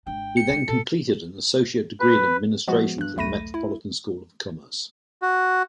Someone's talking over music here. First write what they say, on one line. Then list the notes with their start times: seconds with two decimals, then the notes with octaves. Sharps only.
He then completed an Associate degree in Administration from the Metropolitan School of Commerce.
0.07 G#1 D4 G5
0.37 C#7
0.49 C#3 G#3
0.68 A#2 A4
2.00 B4
2.68 F3 G#3 B3 F#4
2.98 G2 F#6
3.16 B1 E2 A3 B5 A#6 D#7
3.54 E4
5.22 F#4